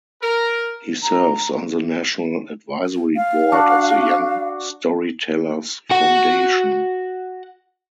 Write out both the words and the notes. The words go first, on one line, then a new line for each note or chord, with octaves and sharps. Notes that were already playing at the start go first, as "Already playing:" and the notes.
He serves on the National Advisory Board of the Young Storytellers Foundation.
A#4
A#5
F5
D4 F#4
F#4 F#5